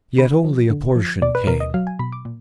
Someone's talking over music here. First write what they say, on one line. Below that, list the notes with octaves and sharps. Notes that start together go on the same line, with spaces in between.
Yet only a portion came.
D3 B5
F3
D3
F3
B2 D5
B4
B2 A#4
D#5
F#3 F5
G#5
B2 B5
D6
A#2